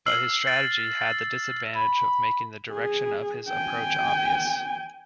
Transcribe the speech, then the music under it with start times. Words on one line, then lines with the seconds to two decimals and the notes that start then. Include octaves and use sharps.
But his strategy had the disadvantage of making the direction of his approach obvious.
0.06 E6 F6 C7 F#7
0.47 A6
1.01 A6
1.76 B5
2.72 G#4
3.49 G5 G#5